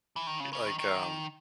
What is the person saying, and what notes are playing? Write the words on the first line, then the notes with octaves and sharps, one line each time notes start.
like, um,
E3
D#3
C#3
C#3
D#3
D#3